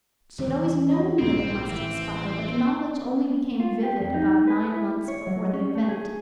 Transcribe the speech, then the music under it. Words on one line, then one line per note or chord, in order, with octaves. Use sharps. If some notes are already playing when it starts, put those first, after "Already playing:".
She had always known that it must expire, but the knowledge only became vivid about nine months before the event.
E2 C3 D#3 E3 G3
C#5 D#5 B5
A#1 G#2 C#3 F3 A#3 C4
A1 D#3 E3 C4 E5
F4
G4
F2
D#4
B4
E4
C#5
F#3
C#4
A3
G#4